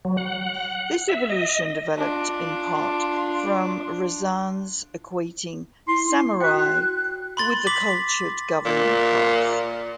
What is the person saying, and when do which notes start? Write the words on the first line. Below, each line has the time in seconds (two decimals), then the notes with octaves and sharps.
This evolution developed in part from Razan's equating samurai with the cultured governing class.
0.05 F#3
0.17 F#5
1.08 E5
1.30 D#5
1.98 D4 F4
5.88 E4 C6
6.40 F#4 G5 F#6
7.37 B5 C6 A6
7.67 D6 B6 F#7
8.65 A#2